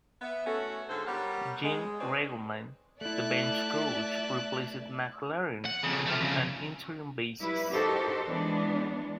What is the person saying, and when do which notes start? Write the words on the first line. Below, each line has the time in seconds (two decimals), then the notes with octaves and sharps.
Jim Riggleman, the bench coach, replaced McLaren on an interim basis.
0.22 B3 E5
0.46 A3 C#4 E4 F#4 A4
0.89 G#2 D3 F4 A4 C5
1.07 G3 B3 G4 A#4 C#5 F#5
1.63 G#3
1.99 C4 C#4 D#4 G#4 B4 D5
3.01 A3 E4 D5 E5 A5 F#6
5.65 F#5
5.83 F2 C#3
6.06 A3 F4
6.21 F2 C#3
7.38 F#3 G3 E4 B4
7.72 D#4 F#4 G4 A4 A#4 C5
8.28 E3 G#3 B3 D4